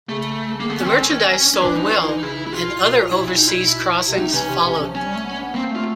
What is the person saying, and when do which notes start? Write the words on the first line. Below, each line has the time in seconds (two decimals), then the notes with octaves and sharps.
The merchandise sold well and other overseas crossings followed.
0.09 C#3 A3
0.60 D#3 A#3
0.70 D3 B3
0.80 C#4
0.85 D#3 C4
1.01 C#4
1.54 C#4
1.61 E3 D4
1.76 F3 D#4
1.91 E3 F4
2.02 E3 E4
2.11 D#4
2.22 C#3 E4
2.47 E4
2.52 B2 F4
2.67 A#2
2.83 B2
2.97 A#2
3.12 B2 E4
3.26 A#2 E4
3.38 B2 D#4
3.47 E4
4.04 C3
4.19 D#4
4.33 E3 C#4
4.49 C3
4.65 C3
4.79 F3
4.95 F#3 C#4
5.05 G3
5.15 A3
5.24 B3
5.40 B3
5.55 A#3 C4
5.70 A3 F4